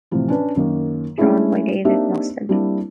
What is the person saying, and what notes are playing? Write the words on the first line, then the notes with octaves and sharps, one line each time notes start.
Drawn by David Mostyn.
A2 C3 E3 F3 F4
C#4 D4 B4
F#2 D#3 A#3
G#3 A3 C#4 D4 E4 G#4
A#3 C4 D4 D#4 G4 E5
G3 A#3 C4 D4 E4